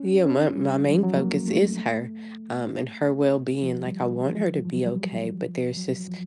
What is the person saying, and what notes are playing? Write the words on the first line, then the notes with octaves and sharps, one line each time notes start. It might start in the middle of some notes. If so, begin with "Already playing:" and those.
Yeah, my my main focus is her, um, and her well-being, like, I want her to be okay, but there's this
Already playing: C#4
C#4
G3
F#3
F3
F#3
A#3
A3
F3
G3
E3
F3
F#3
F3
F#3
G3
F3
F3
F#3
F#3
F3